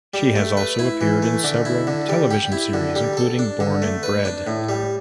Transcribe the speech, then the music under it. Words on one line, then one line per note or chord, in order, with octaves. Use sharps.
She has also appeared in several television series, including "Born and Bred".
G3
A3
B4
E4
E3
A3
D3
E4
D3
G3
G4
E4
D3
G3
A4
D4
D3
A3
B4
D4
A2
G3